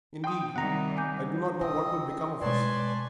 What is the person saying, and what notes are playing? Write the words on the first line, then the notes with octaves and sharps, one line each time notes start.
Indeed, I don't know what will become of us.
G5 C6 D#6
C3 D#3 G3 F#5 A#5
G#5 D6 G6
C#3 F3 C4 D#5 D#6
B2 G#3 B4 C#5 D5 G#5 A5 C6